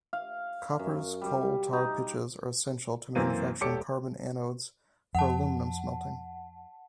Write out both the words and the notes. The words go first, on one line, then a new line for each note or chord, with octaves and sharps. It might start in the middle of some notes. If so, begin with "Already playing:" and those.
Kopper's coal tar pitches are essential to manufacturing carbon anodes for aluminum smelting.
F5
F#2
G3
D#4
F#2 E3 A#3 C4 D#7
E1 G4 A4 C#5 D6 C#7
F2 F#5 A5